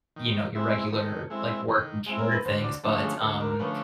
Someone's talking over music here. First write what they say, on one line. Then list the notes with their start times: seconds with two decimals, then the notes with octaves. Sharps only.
you know, your regular, like, work and care things, but, um,
0.16 D#3
0.55 G#3 C4 E4
0.92 D#3 A4
1.30 G#3 C4 E4
1.68 D#3
2.06 G#3 C4 E4
2.19 A#4
2.32 B4
2.45 D2 C5
2.64 D5
2.83 D3 F3 A3 C#4 C5
3.02 G#4
3.22 D2 A4
3.40 A#4
3.50 A#4
3.59 D3 F3 A3 C#4 B4